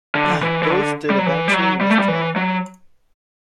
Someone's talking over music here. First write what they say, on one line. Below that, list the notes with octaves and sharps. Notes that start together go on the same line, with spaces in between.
Both did eventually withdraw.
D3
E3
E3
D3
G3
F#3
E3
G3
F#3
G3
A3
G3
E3
F#3